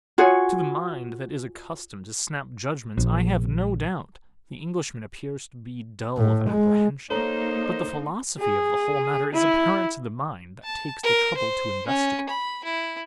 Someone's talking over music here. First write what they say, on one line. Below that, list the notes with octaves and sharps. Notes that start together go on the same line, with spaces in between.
To the mind that is accustomed to snap judgments I have no doubt the Englishman appears to be dull of apprehension, but the philosophy of the whole matter is apparent to the mind that takes the trouble to investigate.
F4 F#4 G#4 C#5
A#1
A2
G#3
A#3 D#4 A4 C5 C#5 A#5
G#4
E4
A5
A#4
C5
C#4
B5
E4